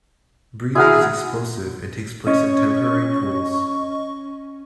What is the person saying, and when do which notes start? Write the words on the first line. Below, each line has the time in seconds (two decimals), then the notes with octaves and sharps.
Breeding is explosive and takes place in temporary pools.
0.75 E4 F#4 G#4 F#5 A#5 F6
2.27 C#4 D#5 C#6